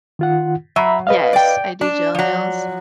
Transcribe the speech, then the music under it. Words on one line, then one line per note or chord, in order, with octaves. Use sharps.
Yes. I do gel nails,
D#3 F4 F#5
F#3 E5 A#5 B5
B4 D#5 F5
D5 G5
D4 D5
F3 F#3